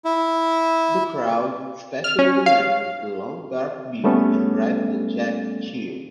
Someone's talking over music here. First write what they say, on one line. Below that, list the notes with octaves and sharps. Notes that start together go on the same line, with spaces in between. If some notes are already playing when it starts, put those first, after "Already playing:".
The crowd, especially the man with the long dark beard and bright blue jacket, cheer.
E4
F6
C#4
F5
G3 A3 B3 C#4 A4